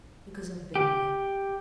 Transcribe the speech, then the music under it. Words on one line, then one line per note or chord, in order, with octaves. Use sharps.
Because I've been there.
G4